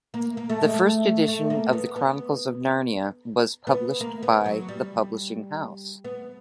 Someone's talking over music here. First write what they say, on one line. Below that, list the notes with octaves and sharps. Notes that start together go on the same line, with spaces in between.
The first edition of The Chronicles of Narnia was published by the publishing house.
A#3
A#3
A3
G#3
A3
A3
A#3
B3
B3
B3
A#3
B3
F#3
G3
B3